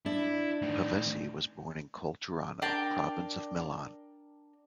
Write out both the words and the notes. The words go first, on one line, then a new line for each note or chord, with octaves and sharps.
Pavesi was born in Colturano, province of Milan.
D4 E4
A2 D#3
D4 A#4 G5 A5